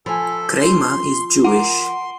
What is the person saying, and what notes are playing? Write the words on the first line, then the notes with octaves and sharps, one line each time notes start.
Kramer is Jewish.
F3 A4 G#5 B5
C5 C6
A#4 F#5 C6 D6